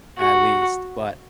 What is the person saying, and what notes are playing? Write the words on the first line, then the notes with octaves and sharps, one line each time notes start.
At least, but,
F#4